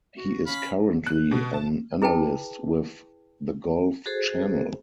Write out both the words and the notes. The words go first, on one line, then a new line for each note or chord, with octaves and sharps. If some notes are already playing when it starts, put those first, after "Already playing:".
He is currently an analyst with the Golf Channel.
F#4
C#4 F5 B5
F#6
B2
A5
E4 G#4 B4 G5 A5
F#4 G#4 A4 C5